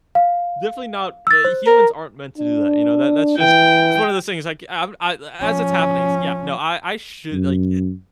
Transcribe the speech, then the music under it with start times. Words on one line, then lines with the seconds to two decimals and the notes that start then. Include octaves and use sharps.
Definitely not uh, humans aren't meant to do that, you know? That that's just it's one of those things I can I m I a as it's happening s Yeah, no, I I should like
0.15 F5
1.27 E6 A6
1.44 C5
1.67 A#4
2.38 D4
3.39 E3 G5
5.41 F3 C#4
7.33 F#2